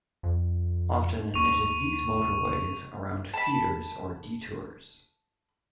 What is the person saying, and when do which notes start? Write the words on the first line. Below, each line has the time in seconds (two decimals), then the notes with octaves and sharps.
Often it is these motorways around feeders or detours.
0.23 F2
1.34 D#2 C#6 F7
3.34 A5 B5